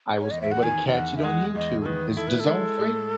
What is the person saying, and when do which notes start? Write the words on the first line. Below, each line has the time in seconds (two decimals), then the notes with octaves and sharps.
I was able to catch it on YouTube. Is DAZN free?
0.21 C#5
0.31 E2 D#5
0.42 E5
0.52 F#5
0.63 D#3 G#5
0.93 E2 F#5
1.17 E5
1.24 G#3 F#5
1.55 E2 D#5
1.81 A4
1.86 D#3 B4
2.16 E4 A4
2.28 B4
2.40 A4
2.47 G#3
2.79 A2